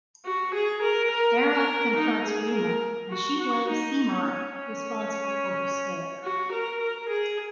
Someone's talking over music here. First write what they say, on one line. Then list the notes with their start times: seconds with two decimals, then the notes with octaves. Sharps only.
Aarav confronts Reema and she blames Simar responsible for her stare.
0.25 F#4
0.54 G#4
0.82 A#4
1.11 A#4
1.53 A#4
1.96 D#4
2.26 G#4
2.53 A#4
3.10 F#4
3.40 F#4
3.68 D#4
4.11 C#4
4.53 C#4
6.24 F#4
6.52 A#4
6.81 A#4
7.09 G#4